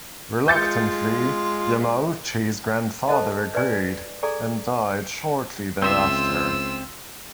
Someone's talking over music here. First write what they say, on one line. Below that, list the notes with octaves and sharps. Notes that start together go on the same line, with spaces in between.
Reluctantly, Yamauchi's grandfather agreed, and died shortly thereafter.
G#3 F4 G6 A6 C#7
A4 C5 D#5 A5
B4 D5 G#5
G#4 A4 D5 G#5 A#5 D6
C#2 C4 F4 C5 E5 E6